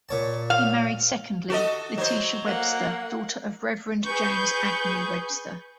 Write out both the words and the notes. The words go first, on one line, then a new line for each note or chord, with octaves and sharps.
He married secondly Letitia Webster, daughter of Reverend James Agnew Webster.
A#2 C#5 A5
F5
F#4 A4 D#5
F#3 C5
A#3 F#5
G#4 B4 C#6 G6